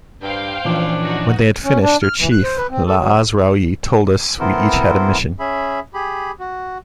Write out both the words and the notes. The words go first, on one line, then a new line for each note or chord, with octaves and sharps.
When they had finished, their chief Laazraoui told us we each had a mission.
G2 C5 F5 G5
A#2 E3 F3 C#4 D4
D#4 F#4
C#4
D4
F6
E3
F#6
C5
B4
C4
A4
F#3
B3 C4 E4 A4 A#4 C5
C#4 G#4 E5 B5
G4 G#4 B5
F#4